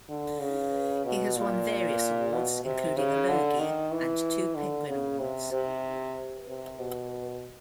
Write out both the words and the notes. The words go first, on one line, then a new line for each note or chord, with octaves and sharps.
He has won various awards, including a Logie and two Penguin awards.
D3
C#3
B2
A#2
B2
C3
C#3
D3
D#3
E3
D3
C#3
C3
C3
C3
B2